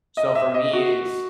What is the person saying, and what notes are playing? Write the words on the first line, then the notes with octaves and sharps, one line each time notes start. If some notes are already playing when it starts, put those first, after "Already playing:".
So for me, it's
D#5
E5
D#5
F#4